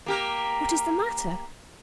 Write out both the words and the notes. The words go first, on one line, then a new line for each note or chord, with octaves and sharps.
'What is the matter?
A#3 G4 A#4